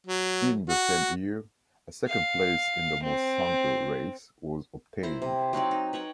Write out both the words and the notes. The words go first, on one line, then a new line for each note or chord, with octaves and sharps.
In the same year, a second place in the Monsanto race was obtained.
F#3
F#4
F5
C4
E4 C5 A#5
C3
F#3 C4 D#4 D5
D#4
B4 C#5 F#5 G5